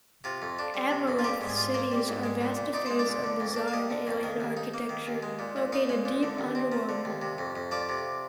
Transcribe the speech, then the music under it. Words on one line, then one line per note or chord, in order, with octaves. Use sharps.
Aboleth cities are vast affairs of bizarre and alien architecture, located deep underwater.
C3 F4
F2
D4
G3
C3
F2
F4
G3 G4
G#2
G#4
F4
A#3 A#4
G3
G#2
G#3
A#2
A#2
D#4 D5
G#3 C5
D5
A#2
D3
F2
D4
F5
G3 D#5
D3
F2
D#3
D#2
D#4
A#3
D#3
D#2
G#3
A#2
A#2
D#4 F5
G#3
A#2
D3
D#2
C4
F3
D3
D#2
C3
F2
F2
F3 D5
C3